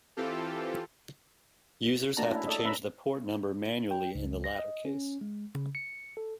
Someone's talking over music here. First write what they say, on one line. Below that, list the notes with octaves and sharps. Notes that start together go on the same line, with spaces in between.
Users have to change the port number manually in the latter case.
E3 C4 F4 G4 A4
A3 A#3 D4 F#4 A5 A#5
C#4 E4
A4 D5 D#5
C#4 B4 E5 A#5 B5
G5
C#2
A#6
D#5
C#4
G#3
C#3
C#7
A4